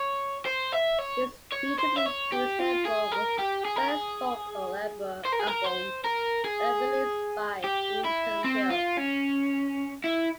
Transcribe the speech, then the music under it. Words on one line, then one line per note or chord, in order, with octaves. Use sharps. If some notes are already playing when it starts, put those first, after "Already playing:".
This beautifully produced effort was the first vocal album ever released by Windham Hill.
Already playing: C#5
C5
E5
C#5
C#5
C5
E5
C#5
G4
F4
G#4
A#4
G4
G#4
A#4
G#4
C5
A#4
G#4
A#4
C5
A#4
G#4
G4
E4
C4
F4
C#4
E4